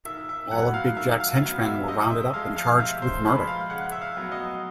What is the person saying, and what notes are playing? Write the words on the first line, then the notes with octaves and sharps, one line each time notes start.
All of Big Jack's henchmen were rounded up and charged with murder.
D#3 E5
E5
F#3 B3 F#5
F5
D#3 E5
F5
E5
F#3 B3 F5
E5
C3 D#5
E5
F3 G#3 F5
F5
C3 E5
C5
F3 G#3 B4
F5
C#3 F#5
E5
F5
F#3 B3
D#5